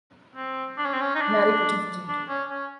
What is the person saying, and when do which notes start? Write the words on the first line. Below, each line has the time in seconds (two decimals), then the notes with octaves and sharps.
Mary put her foot into it.
0.35 C4
0.78 D4
0.85 C#4
0.93 C4
1.01 C#4
1.15 D#4
1.21 D4
2.08 D4
2.29 C#4
2.50 C#4